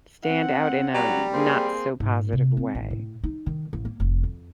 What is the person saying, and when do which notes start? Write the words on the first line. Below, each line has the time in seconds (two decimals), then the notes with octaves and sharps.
stand out in a n not so positive way.
0.23 C4 F#5
0.94 F#3 G3
1.33 A#3 C4 G#4
2.00 G#2
2.33 C3
2.57 C4
2.75 A1
2.90 A2
3.24 D#4
3.46 D#3
3.73 A1
3.85 A#3
4.00 F1
4.23 F2